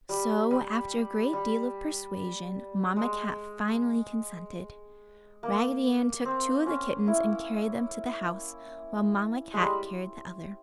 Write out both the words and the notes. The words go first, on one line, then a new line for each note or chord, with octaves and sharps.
So after a great deal of persuasion, Mamma Cat finally consented. Raggedy Ann took two of the kittens and carried them to the house while Mamma Cat carried the other.
G3
G3
G3
G#3
A#3
C4
C#4
E4
G#3
G3